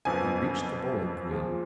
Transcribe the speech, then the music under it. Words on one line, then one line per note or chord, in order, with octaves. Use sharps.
He reached the bowling-green.
F#1 F2 F3 B3 G#5
A#2 F3 G#3